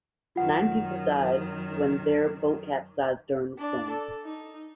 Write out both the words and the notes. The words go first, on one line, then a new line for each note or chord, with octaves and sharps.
Nine people died when their boat capsized during the storm.
F#2 D#3 F4 F#5
D4 D5
A4
D#4